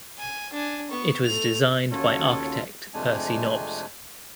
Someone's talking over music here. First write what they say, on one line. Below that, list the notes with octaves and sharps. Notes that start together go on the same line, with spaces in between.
It was designed by architect Percy Nobbs.
G#5
D4 G#5
B3 C#6
A3 F7
D#2 C#4 F4 F#4 A4 C#5
F2 C3 G#3 A3 D4 G#5